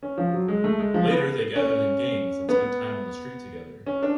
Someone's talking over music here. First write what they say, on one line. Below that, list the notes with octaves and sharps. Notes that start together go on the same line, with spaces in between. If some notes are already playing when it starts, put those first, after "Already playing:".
Later they gathered in gangs and spent time on the street together.
C#4
F3
F#3
G#3
A3
G#3
F3
B3
C#4
B3
C#4
D4